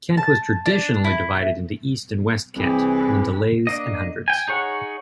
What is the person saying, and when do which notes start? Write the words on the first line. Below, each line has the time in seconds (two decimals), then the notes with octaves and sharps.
Kent was traditionally divided into East and West Kent, and into lathes and hundreds.
0.17 A5
0.66 D4
1.04 E4
2.57 C2 E3 C4 G4 G#4 B4
3.67 A#3 D4 D#5
4.28 G5 G#5
4.48 D#4 G#4 C#5 F#5